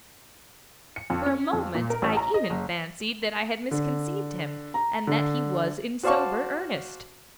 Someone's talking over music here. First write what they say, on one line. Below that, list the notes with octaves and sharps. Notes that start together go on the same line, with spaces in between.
For a moment I even fancied that I had misconceived him, and that he was in sober earnest.
C#7
F2
C#4
F2
A#2
A#4
A1
A#5
D#5
F#1
D3
A#5
D3
F#4 C5 D5 F5 A5 C#6